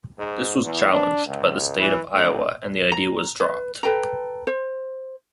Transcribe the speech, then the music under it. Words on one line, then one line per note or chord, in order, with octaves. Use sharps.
This was challenged by the state of Iowa, and the idea was dropped.
G#2
E2
D4
C#2
E3
D2
A#5
B4
A4 B4 G5 A#5
C5